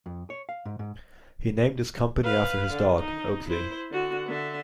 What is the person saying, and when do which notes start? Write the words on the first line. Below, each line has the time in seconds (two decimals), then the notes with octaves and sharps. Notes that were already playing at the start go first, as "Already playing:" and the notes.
He named his company after his dog, Oakley.
0.06 F2
0.30 C#5
0.49 F5
0.65 G#2
0.79 G#2
2.23 B4 F5
2.71 D3
3.00 D#4
3.49 E4 C5
3.91 D3 F#4
4.28 D3 E5